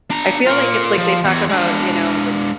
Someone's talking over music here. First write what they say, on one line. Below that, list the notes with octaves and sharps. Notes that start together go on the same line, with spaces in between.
I feel like it's like, they talk about, you know, like,
D4 A#5
F4 A#4
F3
E2
G#3 D4